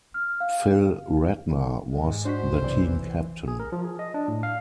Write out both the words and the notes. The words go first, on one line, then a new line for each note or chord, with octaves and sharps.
Phil Ratner was the team captain.
F6
F5
G#2 G#3
D4 F#4 C5 B6
B1 C3 E3 D5
G#4
A#4
F3
G#4
D#5
D4
A2
F5